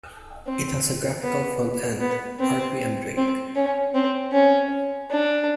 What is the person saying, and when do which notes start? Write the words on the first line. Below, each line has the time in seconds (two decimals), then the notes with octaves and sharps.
It has a graphical front-end: Rpmdrake.
0.46 C4
1.23 B3
2.00 B3
2.40 C4
3.17 C4
3.55 C#4
3.95 C4
4.32 C#4
5.11 D4